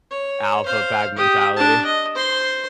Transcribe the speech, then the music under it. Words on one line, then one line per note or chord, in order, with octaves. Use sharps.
Alpha pack mentality.
C#5
C5 F5
G4 D#6
D4 A5
D#5
C5 C6